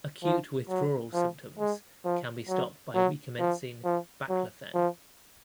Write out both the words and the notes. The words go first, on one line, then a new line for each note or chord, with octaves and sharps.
Acute withdrawal symptoms can be stopped by recommencing baclofen.
F3
F#3
F3
G#3
F3
F#3
F#3
F3
F3
F#3
F3